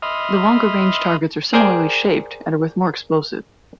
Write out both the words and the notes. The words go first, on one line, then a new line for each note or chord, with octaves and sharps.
The longer range targets are similarly shaped and are with more explosive.
D#5 E5 B5 C6 D#6 F6
G#4 A#4 C5 D5 G5 G#5